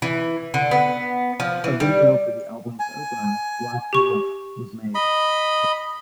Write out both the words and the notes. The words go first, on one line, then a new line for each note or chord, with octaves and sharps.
A video for the album's opener, "Black Dwarf", was made.
E3
D3
B3
F3
E3
G3
G#5
G4 C#6
D#5 B5